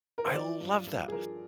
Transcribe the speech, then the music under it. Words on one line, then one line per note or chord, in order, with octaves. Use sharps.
I love that!
A#4
C5
F3 D5
G2
G2
G#4
F3 A#4